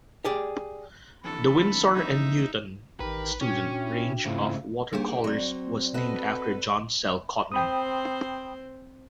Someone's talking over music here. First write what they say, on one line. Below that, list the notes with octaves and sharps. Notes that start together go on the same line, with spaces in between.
The Winsor and Newton student range of watercolours was named after John Sell Cotman.
G4 G#4 D5
F2 D3 E3 A4 B5
D#4 E5
A1 D#3 G4 A#4 B4
A#2 C#4 D4 F#4 C#5 G5
E4
G#2 C#3 A3 C4 E4 F4 F5
G3 A#3 D4 D#4 G4 G#4
F#3 C4 D5 C6
F#4 A4 B4 D#5
C4 C5 G5 B5 D#6